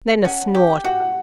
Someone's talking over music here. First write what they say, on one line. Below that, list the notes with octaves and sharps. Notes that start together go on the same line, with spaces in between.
Then a snort.
C#4 F#5
G4
F#4 F#5
F#5